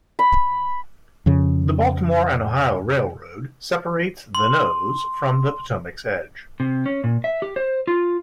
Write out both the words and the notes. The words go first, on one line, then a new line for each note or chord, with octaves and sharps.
The Baltimore and Ohio Railroad separates The Nose from the Potomac's edge.
B5
F2 C#3
C6
C3
C#4
A#2
E5
G4
C5
F4